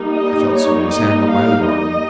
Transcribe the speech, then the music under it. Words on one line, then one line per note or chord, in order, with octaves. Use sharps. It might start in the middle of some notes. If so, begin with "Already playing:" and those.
I felt somebody's hand on my own arm.
Already playing: G3 A#3 D#4
D#5
C#5
D#5
F5
D#5